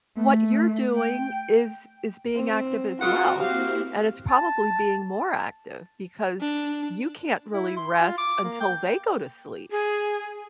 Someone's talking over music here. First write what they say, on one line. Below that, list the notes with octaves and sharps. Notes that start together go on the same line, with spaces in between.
what you're doing is is being active as well, and it's probably being more active because you can't really rest until they go to sleep.
A3
G5
C4
C#3 C4 F4 F#4 B4 F#5
A#3 C4 E4 G4 F5
A5
D4
E4
C6
F4
D6
A#3
G5
G#4